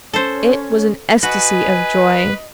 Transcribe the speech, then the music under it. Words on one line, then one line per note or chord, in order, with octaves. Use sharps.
It was an ecstasy of joy!
C#4 A4 C5 C#5
F#4 B4 D#5 G#5